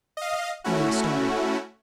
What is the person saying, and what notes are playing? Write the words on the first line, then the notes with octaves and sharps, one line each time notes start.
Louis started.
D#5 F5
A3 C#4 E4 F#4